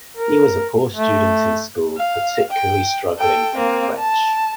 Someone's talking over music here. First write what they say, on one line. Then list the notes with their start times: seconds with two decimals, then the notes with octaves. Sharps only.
He was a poor student in school, particularly struggling in French.
0.17 A#4
0.96 A3
1.97 F5
2.51 G5
3.18 A4 G5
3.55 A#3 C4
3.98 A5